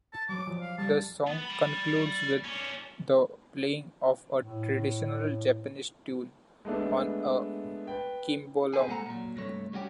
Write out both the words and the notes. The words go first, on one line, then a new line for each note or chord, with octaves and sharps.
The song concludes with the playing of a traditional Japanese tune on a cimbalom.
A5
F#3 D6
F3
F5
G3 A5
B3
D5 B5
C#4 D4
A2
G#3 A3 B3 D4
B4 G5
C4 G4 G#4
A#2 G#3 A4 F#5 A#5
A#2 F#3
G2 C3 A3 C#5
G3 C#4 F#4 G4